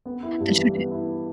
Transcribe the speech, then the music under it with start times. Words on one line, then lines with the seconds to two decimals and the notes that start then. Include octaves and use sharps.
They should d
0.06 B3
0.23 E4
0.40 G2
0.57 E3
0.74 B3
0.91 E4